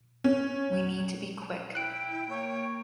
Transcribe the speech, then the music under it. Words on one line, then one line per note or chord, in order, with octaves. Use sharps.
We need to be quick.
C#4
E4 G5 F#6 D7
A#3 C#5